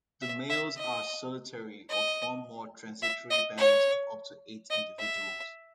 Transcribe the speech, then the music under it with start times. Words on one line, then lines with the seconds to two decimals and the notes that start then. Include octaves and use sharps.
The males are solitary or form more transitory bands of up to eight individuals.
0.22 E5
0.50 E5
0.77 D#5
1.90 D#5
3.03 E5
3.31 D#5
3.58 C#5
4.70 D#5
4.99 E5